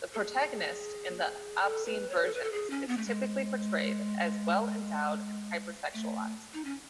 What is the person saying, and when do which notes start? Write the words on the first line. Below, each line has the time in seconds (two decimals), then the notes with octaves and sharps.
The protagonist in the obscene versions is typically portrayed as well-endowed and hypersexualized.
0.14 A4
0.18 G#4
1.62 A4
1.85 B4
2.09 C#5
2.25 A4
2.34 B4
2.43 A4
2.52 G#4
2.70 C#4
2.88 B3
2.97 A3
3.06 G#3
5.93 A3
6.53 D#4
6.65 C#4